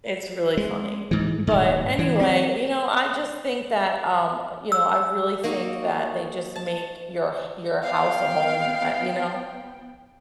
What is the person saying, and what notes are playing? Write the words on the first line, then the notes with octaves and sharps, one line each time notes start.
It's really funny. But anyway, you know, I just think that, um, you know, I really think that they just make your h your house a home. I you know?
G#3
G#2 E3
D#1 G#2
E3
C4
E6
A#3 D#4 F#4
A5
B3 F5 G5